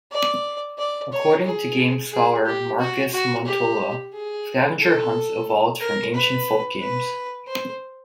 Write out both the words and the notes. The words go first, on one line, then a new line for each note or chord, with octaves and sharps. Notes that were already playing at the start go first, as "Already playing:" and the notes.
According to game scholar Markus Montola, scavenger hunts evolved from ancient folk games.
D5
D5
C#5
G#4
G#4
G4
F#4
F#4
G4
G#4
A4
A#4
B4
B4
C5